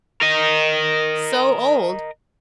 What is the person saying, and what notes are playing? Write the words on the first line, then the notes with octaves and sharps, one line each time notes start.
So old!
A#4 D#5